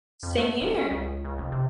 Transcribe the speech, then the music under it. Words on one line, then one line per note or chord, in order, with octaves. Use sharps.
Same here.
F2
A3
D#1
C#4
C#2
C#2
F1
C3